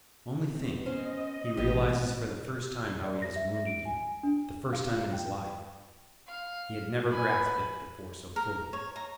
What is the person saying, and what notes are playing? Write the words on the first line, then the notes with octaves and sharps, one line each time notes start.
Only think, he realizes for the first time how he has wounded you, the first time in his life; he had never grasped it before so fully.
B3 C4
C#4 C5 D#5
A1 E3 G#3 G4 D#5
D5
A#6
E5
D7
G#5
D4
F5
F4
G5
F5
B4 G#5
A#4
C#5
A#5